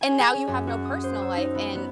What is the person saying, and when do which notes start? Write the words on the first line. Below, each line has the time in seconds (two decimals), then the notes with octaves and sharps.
And now you have no personal life and
0.01 G#5
0.20 G#4
0.35 C#4
0.47 F#2
0.67 F#4
0.85 D#6
1.04 C5
1.22 E6
1.37 D#4
1.55 B3
1.75 B3